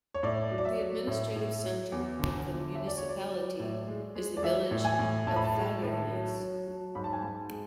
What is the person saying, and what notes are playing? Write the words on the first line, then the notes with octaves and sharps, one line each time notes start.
The administrative centre of the municipality is the village of Fagernes.
C#5
A2 D5
F#3
D5
E5
F#3
A2
A2
F#3
E2
D3
E2
F#3 E5
D5
C#5
F#3
D5
F#3
A2
G#3
G#3
D5
E3 E5
A2
G#5
A2
A2 A5
B5
A5
G#3
A2
F#3
F#3
F#3
G#2 B5
A5
G#5
G#2 A5
G#3